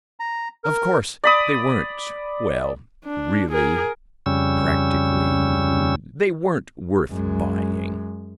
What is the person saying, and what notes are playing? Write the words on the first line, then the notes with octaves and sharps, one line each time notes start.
Of course, they weren't, well ... really ... practically ... they weren't worth buying....
A#5
A#4
D5 B5 D#6
D4
G#4 A#4
F2 C#3 G3 C#4 E6
F#2 G#3